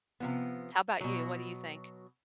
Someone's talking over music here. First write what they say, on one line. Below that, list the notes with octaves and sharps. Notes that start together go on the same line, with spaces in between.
How about you, what do you think?
C3 F3 B3
B2 F#3